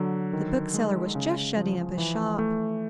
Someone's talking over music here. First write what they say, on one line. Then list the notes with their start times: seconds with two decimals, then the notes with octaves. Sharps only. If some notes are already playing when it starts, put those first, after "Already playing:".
The bookseller was just shutting up his shop.
Already playing: D3 F#3
0.33 D#3
0.74 G#3
1.15 C#3
1.57 F3
1.98 E3
2.39 A3